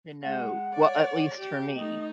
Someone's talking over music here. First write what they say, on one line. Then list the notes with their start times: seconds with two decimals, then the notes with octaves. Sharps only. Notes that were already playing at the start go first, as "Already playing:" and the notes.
to know well, at least for me.
0.23 G#3 F#5
0.74 C#5 D5
1.38 G4
1.75 A3 D#4 D#5